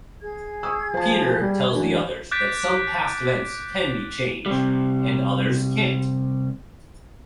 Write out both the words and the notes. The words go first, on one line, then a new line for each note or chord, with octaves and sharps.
Peter tells the others that some past events can be changed, and others can't.
G#4 G#6
C#6 D#6 E6
F3 B4 A5
G3
F#2 E3 D4 F#4
D6 F#6 G6 A6 B6 D7
C3 G3